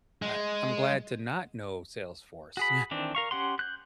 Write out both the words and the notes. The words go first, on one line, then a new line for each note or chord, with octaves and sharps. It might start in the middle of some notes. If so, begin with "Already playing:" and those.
I I'm glad to not know Salesforce
G#3
F#4 G#4 B5
D#3 E3 C4 D4
A#4 F5 C#6
C#4 G4 F#5 C6
F#6 G6